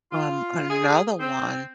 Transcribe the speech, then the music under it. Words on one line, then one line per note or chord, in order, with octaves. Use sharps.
um, another one
F4
G#4
C4